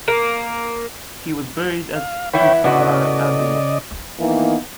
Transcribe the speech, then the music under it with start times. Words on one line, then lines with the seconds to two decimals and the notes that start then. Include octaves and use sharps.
He was buried at Cupar Abbey.
0.08 A#3
1.96 F5
2.33 E3 B3 E4 C#5 G5 B5
2.64 A2 C#3 B3 F#4 D5 D#5
4.20 D#3 E3 A#3 B3 D#4